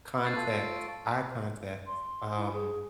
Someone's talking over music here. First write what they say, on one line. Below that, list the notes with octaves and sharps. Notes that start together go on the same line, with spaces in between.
contacts eye contacts, um
C#6 A6 C7
F4 A4
D7
C6
E4
G#4